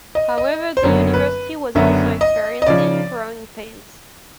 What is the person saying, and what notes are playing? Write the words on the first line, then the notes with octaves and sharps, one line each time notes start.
However, the university was also experiencing growing pains.
D#5
D#5
C5
F#1 F#2 D3 F#3 B3 C#5
B4
F#1 F#2 D3 F#3 B3 E5
D#5
D#5
C#3 F3 D5